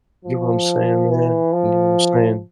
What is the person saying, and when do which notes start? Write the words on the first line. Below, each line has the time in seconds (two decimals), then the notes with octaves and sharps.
You know what I'm saying, man? You know what I'm saying?
0.25 F3
1.11 E3
1.53 F3